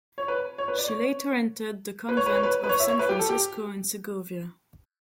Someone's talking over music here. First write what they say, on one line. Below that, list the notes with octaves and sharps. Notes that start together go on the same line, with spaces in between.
She later entered the convent of San Francisco in Segovia.
C#5
B4
C#5
B4
D5
C#5
B4
C#5
B4
C#5
B4
B4
C#5
E5
C#5
B4
G4
A4
G4